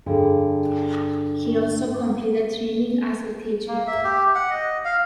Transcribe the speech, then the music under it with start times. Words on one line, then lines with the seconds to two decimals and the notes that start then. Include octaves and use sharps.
He also completed training as a teacher.
0.06 G2 D3 G#4
3.68 A#3
3.87 E5
4.04 G4
4.35 F#5
4.51 D#5
4.85 F5